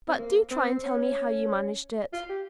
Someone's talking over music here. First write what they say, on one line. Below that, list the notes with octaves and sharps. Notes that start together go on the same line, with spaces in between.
"But do try and tell me how you managed it."
C4
A#3
C4
C#4
F4
G4